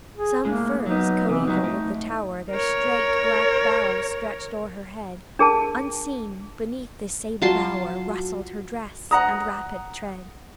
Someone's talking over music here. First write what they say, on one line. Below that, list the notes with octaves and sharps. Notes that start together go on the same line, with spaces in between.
Some firs, coeval with the tower, Their straight black boughs stretched o'er her head; Unseen, beneath this sable bower, Rustled her dress and rapid tread.
G#4
A2 G#3 A#3
F#3 B3 D#4
C3 E3
C#2 F#3 B3 D#4
A2
A#4 C#5
D4 G#4 A#4 A5
F#3 F4 A5 C6
F#5 A#5 D#6